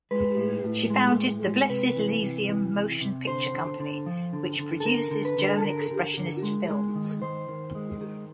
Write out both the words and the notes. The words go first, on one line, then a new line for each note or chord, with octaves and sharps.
She founded the Blessed Elysium Motion Picture Company, which produces German Expressionist films.
G#3 B4
A2
A2
G#3
A2
G#3
C3 B4
E3
C3
E3
C3
C3
D3 C5
D3
D3
F3
D3
D3
A4
D3 A#4
D3
B4
D3
G#4
A4
D3 A#4
D3
D3
G#3
G#3
D#3
D#3 C5
D#3
G#3
D#3